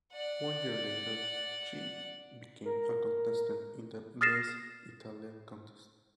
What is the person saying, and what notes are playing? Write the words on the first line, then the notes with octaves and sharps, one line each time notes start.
One year later, she became a contestant in the Miss Italia contest.
D5 F#5
A#4
D#6 F6 A6 A#6 C7 E7